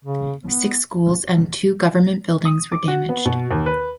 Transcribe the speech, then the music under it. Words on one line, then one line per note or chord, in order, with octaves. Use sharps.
Six schools and two government buildings were damaged.
C#3
B3
D#6
D6
F#4
B3
B2
D#2
B4